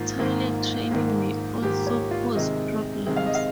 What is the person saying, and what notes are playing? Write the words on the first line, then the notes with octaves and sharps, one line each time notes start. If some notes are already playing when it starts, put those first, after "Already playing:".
Toilet training may also pose problems.
Already playing: G#2 D#3 A#3 F4
G#2 D#3 A#3
G#2 D#3 A#3
G#2 D#3 A#3 G4
C#5
F4
C3 D#3 G#3 D#5
C3 D#3 G#3
F5
D#5
F5